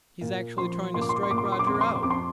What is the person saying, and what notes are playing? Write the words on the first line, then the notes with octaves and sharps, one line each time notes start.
"He's actually trying to strike Roger out!"
A#2
F3 C6
A#2 C6
D6
C6
D6
C6
A#2 D6
C6
D6
C6
D6
F2 C6
D6
C6
D6
C6
F2 D6
C6